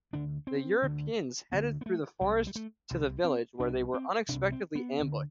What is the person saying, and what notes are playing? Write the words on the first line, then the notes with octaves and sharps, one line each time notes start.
The Europeans headed through the forest to the village, where they were unexpectedly ambushed.
D2 D3 D4
C4
D2 D3
D2 D3 B3
B3
A3
C2 C3 G3
G3
A3
C2 C3
C4
C2 C3 D4
C4
C2 C3 D4
C4
B3
D2 D3